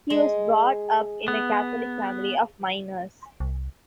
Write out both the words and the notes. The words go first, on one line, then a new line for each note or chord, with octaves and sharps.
He was brought up in a Catholic family of miners.
G#3
B3
C2